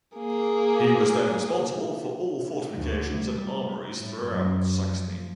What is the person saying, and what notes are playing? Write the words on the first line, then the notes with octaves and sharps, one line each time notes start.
He was then responsible for all fortifications and armories throughout Saxony.
A#3 G#4
D2
G3
A2
F#2
F3